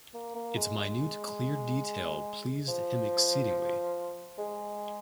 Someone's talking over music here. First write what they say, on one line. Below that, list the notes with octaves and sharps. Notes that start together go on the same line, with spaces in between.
Its minute, clear detail pleased him exceedingly.
A#3
A#3
G#3
G#3
F3
G#3